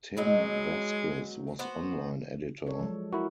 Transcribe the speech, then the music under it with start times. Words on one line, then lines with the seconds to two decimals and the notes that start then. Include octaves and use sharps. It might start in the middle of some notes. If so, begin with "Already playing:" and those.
Tim Vasquez was online editor.
0.17 B2 F#3 G#3 D#4
1.59 B3 F#4 C5
2.66 A4 C#5 D5
2.79 F3 F#3 G#3
3.13 E4 F#4 A#4